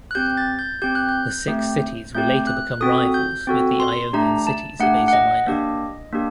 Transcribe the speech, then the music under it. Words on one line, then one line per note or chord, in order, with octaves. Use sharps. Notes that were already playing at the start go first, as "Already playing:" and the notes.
The six cities would later become rivals with the Ionian cities of Asia Minor.
F#6
C4 G4 G6
A6
G6
C4 G4 G6
F#6
G6
A3 C4 G4
A3 C4 G4 G6
F#6
C4 F#4 A4 D#6
G6
C4 F#4 A4
C6
A3 D4 G4 A#5
A5
A3 D4 G4 F#5
F#5
D#5
A#3 D4 G4
A#3 D4 G4